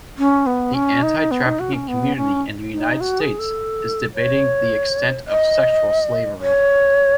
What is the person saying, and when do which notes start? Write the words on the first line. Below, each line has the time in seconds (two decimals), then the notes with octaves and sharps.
The anti-trafficking community in the United States is debating the extent of sexual slavery.
0.18 C#4
0.46 B3
0.74 C#4
1.03 D#4
1.31 B3
1.46 D#4
1.60 F#4
1.74 C#4
1.88 B3
2.16 C#4
2.73 D#4
3.01 F#4
3.20 G#4
3.39 A4
4.14 C#5
5.28 D#5
6.41 C#5